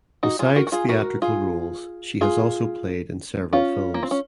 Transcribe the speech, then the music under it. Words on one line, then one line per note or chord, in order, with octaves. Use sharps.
Besides theatrical roles she has also played in several films.
D#4 F#4
F4 G#4
F#4 A#4
F#4
F4 G#4
F#4 A#4
F4 G#4
F4 G#4
C#4 F4
A#3
C4
C#4